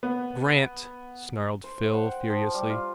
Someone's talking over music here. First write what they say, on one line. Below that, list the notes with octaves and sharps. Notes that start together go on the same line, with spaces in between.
"Grant!" snarled Phil furiously.
B3
C5
F#5
G5
F3
G3
F4